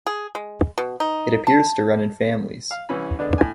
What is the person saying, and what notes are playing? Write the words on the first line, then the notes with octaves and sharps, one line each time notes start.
It appears to run in families.
G#4
G#3
B2
D#4
A5
F5
C2 E3 C#4 B5
D3 G#3 B3 D4
A2 G#5